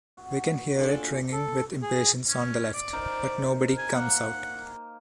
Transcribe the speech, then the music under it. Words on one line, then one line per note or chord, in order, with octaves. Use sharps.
We can hear it ringing with impatience on the left, but nobody comes out.
F#4
A#2 D4 A4 G#5 C6
A4
G#4
C#4
D5
D#4 A#4 C5
G#5
A#3 F#5